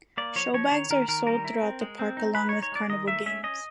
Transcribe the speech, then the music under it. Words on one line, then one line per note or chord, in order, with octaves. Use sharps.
Show bags are sold throughout the park along with carnival games.
A#3 D5
F3 C#5
F3 C#5
D#3 C#5
D#3 A#4
D#3 A#4
G3 A#4
E4
C4
G#3
C4
D#4
G#3 B4
D#4 C#5
C#5
G#3 D5
D#3 D#5
A3 E5
C#4 E5
C#4 D#5